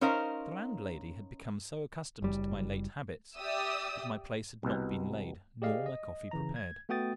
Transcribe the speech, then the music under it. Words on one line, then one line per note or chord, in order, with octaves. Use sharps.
The landlady had become so accustomed to my late habits that my place had not been laid nor my coffee prepared.
C#4 D#4 A#4 C5 F5
F#1 G3
G4 D5 E5 D#6 E6
C2 B2
G4 G#4 D5 D#5 F5
D#5
C#3 E3 A#5
G#6
A3 B3 F#4 G5 D#6 A6